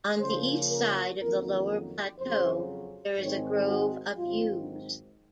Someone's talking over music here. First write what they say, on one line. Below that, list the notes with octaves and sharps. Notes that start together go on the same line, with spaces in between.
On the east side of the lower plateau there is a grove of yews.
C#3 F3 A#3 C#4 C5
A#4
F2 D#3 F#3 A#3 C#4 A#4
F2 C#3 F#3 C#4 C5
G#2 D#3 G#3 C4 C#5
F#4
G#2 D#3 F#3 C4 F4